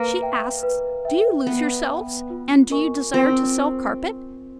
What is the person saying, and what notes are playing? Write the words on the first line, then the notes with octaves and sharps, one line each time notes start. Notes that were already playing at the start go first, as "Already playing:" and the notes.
She asks do you lose yourselves, and do you desire to sell carpet?
Already playing: A#3 B4
E5 G5
B4
E5 G5
B3 B4
E5 G5
F4
A#4 D#5 G#5 C#6
C4 F4